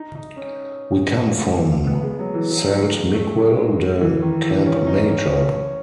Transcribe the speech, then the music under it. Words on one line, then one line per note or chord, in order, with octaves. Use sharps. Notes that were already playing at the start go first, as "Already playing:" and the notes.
We come from Sant Miquel de Campmajor.
Already playing: D#4
D#4
C#4
B3
G#3
F#3
E3
F#3
G#3
A3
G#3
E3
D#3
E3
C#4
D#4
C#4